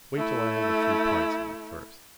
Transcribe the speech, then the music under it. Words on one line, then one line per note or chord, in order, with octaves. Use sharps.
Wait till I have a few pints in me first.
A3 E4